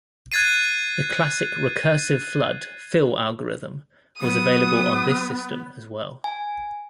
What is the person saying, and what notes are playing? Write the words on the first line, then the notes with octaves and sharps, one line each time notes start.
The classic recursive flood fill algorithm was available on this system as well.
F#6 G#6 A6 C7 D#7
F#3 B3 D#6
G#5